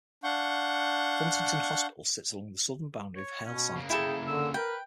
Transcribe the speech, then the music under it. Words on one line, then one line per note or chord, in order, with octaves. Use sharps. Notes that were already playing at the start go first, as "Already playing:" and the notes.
Huntington Hospital sits along the southern boundary of Halesite.
D4 F5 F#5 C#6 G6
C#5
B2 C#4
C#3 A#3
E4 G#4 A4 G5
D3 E6
A#4 B4 G5